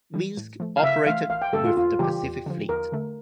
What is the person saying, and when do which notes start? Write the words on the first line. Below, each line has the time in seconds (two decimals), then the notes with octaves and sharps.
"Minsk" operated with the Pacific Fleet.
0.14 E3 G3
0.37 A2
0.60 F3 A3
0.77 F5
0.83 C#3 E5
1.06 E3 F5
1.09 A3
1.30 A1 F5
1.42 G5
1.53 G2 D3 A3 A4
1.64 F4
1.77 F2 F4
1.99 C#3 E3 G3 G4
2.23 E2
2.46 D3 F3
2.69 E2 A#4
2.92 D3 A3